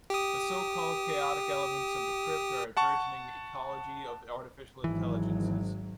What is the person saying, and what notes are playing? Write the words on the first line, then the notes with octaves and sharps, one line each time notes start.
The so-called chaotic elements of the crypt are a burgeoning ecology of Artificial Intelligences.
G4 D#6
F#5 A5 C#6
G#1 E3 F#3